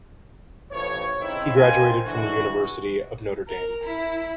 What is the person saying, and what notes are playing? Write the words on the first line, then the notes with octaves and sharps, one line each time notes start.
He graduated from the University of Notre Dame.
A1 A2 F3 B4 C#5
C#3 C4 D#4 E4
A#3 C5 D#5 G5 G#5
D3 E3 F#4
A#4
E4